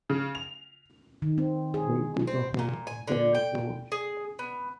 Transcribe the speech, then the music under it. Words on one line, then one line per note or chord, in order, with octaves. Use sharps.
They dig a hole and bury George.
C#3
F7
D#3
C4
G#4
C4
A#2
G#5
D3
G5
G#4
B3